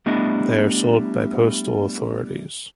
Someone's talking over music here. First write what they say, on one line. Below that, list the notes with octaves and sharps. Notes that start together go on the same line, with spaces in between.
They are sold by postal authorities.
G3 A3 B3 D4 E4 D#5